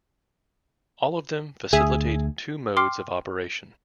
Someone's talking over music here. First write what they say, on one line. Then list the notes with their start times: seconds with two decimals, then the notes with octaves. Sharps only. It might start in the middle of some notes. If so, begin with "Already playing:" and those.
All of them facilitate two modes of operation.
1.73 D2 G#4 E5 G#5
2.77 G5 C6 D6 F6 C7